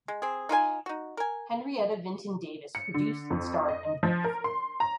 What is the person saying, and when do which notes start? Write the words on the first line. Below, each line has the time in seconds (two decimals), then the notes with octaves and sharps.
Henrietta Vinton Davis produced and starred in both.
0.08 G#3
0.22 C4 G#4
0.49 D#4 F4 A#4 G#5
0.86 D#4 F#4
1.17 A#4 G#5
2.75 C#7
2.94 D3
3.30 F2
3.69 D#5
4.03 F3
4.24 A#4
4.44 C6
4.80 A#5